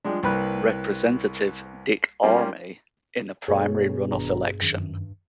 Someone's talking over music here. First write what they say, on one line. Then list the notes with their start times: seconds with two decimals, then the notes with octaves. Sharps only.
Representative Dick Armey, in a primary runoff election.
0.04 F3 G3 G#3 D4
0.23 C2 G3 A#3 B4 B5 F#6
2.23 G3 A#3 C#4 F4 G4
3.48 G2 B2 A3 G#4 A4 C#5
4.11 G#1 D4 A#5
4.62 F#2 D#3